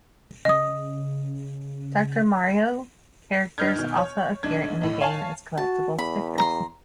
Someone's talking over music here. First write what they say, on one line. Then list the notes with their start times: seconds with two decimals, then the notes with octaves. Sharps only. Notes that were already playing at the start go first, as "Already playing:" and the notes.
"Doctor Mario" characters also appear in the game as collectible stickers.
0.45 C#3 D#5 D#6
3.58 G2 B4 D#5 F6 G6 G#6
3.76 B2 D#3
3.97 C#5
4.43 B1 D4 G#6
4.81 B1 A2
5.01 C#5 F5 G#5 A5
5.58 F#4 A5
5.99 E2 B5
6.38 A#5 C6